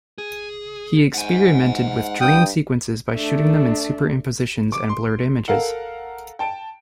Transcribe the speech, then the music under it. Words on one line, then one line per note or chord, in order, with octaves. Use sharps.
He experimented with dream sequences by shooting them in super impositions and blurred images.
G#4
G#2 F#5 G#5
G2 G5 D#6
A3 D4
D6 D7
C6
A4 A#4 F5 F#5
G5 A5 D7